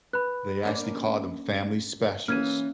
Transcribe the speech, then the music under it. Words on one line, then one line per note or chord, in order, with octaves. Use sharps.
they actually called them family specials.
B4 B5 F#6
A#3 C#4 D4
E3 A#3 C#4 F6 G#6 D#7